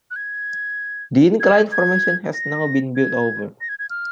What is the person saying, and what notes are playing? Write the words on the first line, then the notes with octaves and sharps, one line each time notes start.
The incline formation has now been built over.
F#6
G#6
G#6
G#6
A#6
G#6
A#6
G#6
G#6
F6